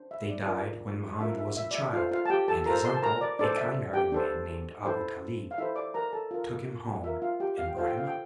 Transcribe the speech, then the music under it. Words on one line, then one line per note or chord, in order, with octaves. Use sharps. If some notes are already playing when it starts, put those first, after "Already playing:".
They died when Mohammed was a child, and his uncle, a kind-hearted man named A'bu-Ta-lib', took him home and brought him up.
Already playing: D4 C5
E5
D5
D4 F4 A#4 D5
D4 F4 A#4 E5
E5
E5
D5
E5
F4 A4 C5 F5
F4 F5
A5
G4 G5
A4 A5
F4 A4 A#4 C5 A#5
C5 C6
A5
A#4 A#5
D5
D4 A4 C5 D5
E5
G4 G5
D4 A4 C5
E4 A4 C5
F5
E4 A4 C5 E5
D5 D6
A#4 A#5
A4 A5
F4 A#4 F5
F4 A#4 E5
F4 F5
G4 G5
F5
G5
F4 A4 C5 F5
G5
F5
G5